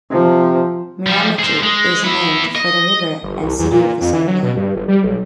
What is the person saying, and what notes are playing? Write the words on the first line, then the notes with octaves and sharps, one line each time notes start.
Miramichi is named for the river and city of the same name.
C3 F3
F3 G3
G#4 C5
G#3
B3 E4
D#5
G1
C2
E2
A#2
F2
E3
F#3
B2
G2
G1
G3
B1